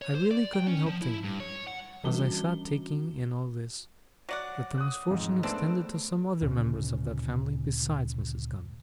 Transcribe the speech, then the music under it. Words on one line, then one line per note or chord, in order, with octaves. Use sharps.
I really couldn't help thinking, as I sat taking in all this, that the misfortune extended to some other members of that family besides Mrs. Gummidge.
C#5
C5
D5
G5
C#4
F3
E4
G2
C#5
F#5
E3 G3 C#4 D4 F#4 G7
F#3 D5 F#5
D#6 F#6
F2 G#2
A3 B3 C4 D4 G#4
D2 A#2 C#3